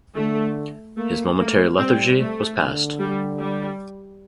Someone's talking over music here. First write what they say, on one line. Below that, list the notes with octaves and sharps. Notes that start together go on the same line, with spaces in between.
His momentary lethargy was past.
D3 A3
A3 A#3
A3 A#3
G3 C4
A3
D3
G3
G3